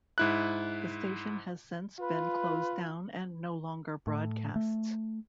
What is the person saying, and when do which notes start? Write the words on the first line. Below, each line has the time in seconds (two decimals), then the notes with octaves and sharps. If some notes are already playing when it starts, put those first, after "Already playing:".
The station has since been closed down and no longer broadcasts.
0.18 G#2 E4 F#6
1.99 F4 B4
4.07 A2
4.56 A3